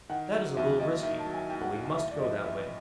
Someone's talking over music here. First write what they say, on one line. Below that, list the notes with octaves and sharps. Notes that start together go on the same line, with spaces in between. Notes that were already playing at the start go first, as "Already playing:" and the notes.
That is a little risky, but we must go that way.
D#3 F#5
F#3
D#2 E5
D#2 D#5
D#3 E5
A5
F#3
G#5
D#2 G5
F#5
D#2 F5
F5
A2 E5
D5
F3 D#5
A1 E5